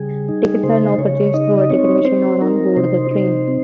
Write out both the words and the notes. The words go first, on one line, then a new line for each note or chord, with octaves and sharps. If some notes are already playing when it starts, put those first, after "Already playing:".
Tickets are now purchased through a ticket machine or on board the train.
Already playing: C#3 G3 G#4
D#4
C#3 C5
C#3 C#5
D#4 D#5
C4 C#5
C4 C5
D#4 A#4
C3 C5
D#4
C4